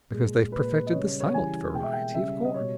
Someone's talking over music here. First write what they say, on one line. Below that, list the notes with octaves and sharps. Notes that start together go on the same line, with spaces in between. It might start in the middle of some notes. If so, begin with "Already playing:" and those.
Because they've perfected the silent variety, of course.
A#2 G#3
A#2 G#3 B4
D#5
C#3 G3 C#5
C#5
C#3 E3 G3 G#5
B2 G#3 G5
E5
G5
C#3 G3 E5
D#5
B2 G3 C#5